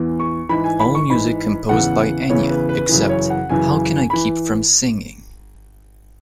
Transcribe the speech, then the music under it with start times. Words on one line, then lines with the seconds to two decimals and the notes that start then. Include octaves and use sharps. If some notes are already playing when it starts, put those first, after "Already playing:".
All music composed by Enya, except How Can I Keep from Singing?
Already playing: E2 E3
0.20 C#6
0.49 G#2 E3 B5
0.64 G#5
0.80 B5
0.95 C#6
1.09 G#2 E3 B5
1.69 E2 C#3 E3 F#5
2.29 E2 C#3 E3 C#5
2.49 B4
2.69 B4
2.89 F#2 C#3 E3 B4
3.09 C#5
3.30 F#5
3.49 F#2 C#3 E3 G#5
4.10 E3 B5